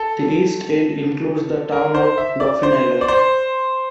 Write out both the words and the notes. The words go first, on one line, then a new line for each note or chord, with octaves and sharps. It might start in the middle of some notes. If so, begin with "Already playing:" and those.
The east end includes the town of Dauphin Island.
Already playing: A4
A#4
C5
E5
D5
C5
D5
C5